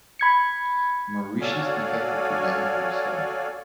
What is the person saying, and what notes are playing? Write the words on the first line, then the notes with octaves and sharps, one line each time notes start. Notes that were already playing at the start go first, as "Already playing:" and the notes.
Mauritius defected to the Emperor's side.
B5 G#6 C#7
F#4 A4 C#5 D5 F5 G#5